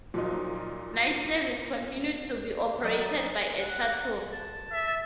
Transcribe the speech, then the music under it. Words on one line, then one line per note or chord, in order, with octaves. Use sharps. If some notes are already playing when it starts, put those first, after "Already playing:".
Night service continued to be operated by a shuttle.
A#2 F3 F#3 D#4
F#3 D5 D#5
F#5
A5
E5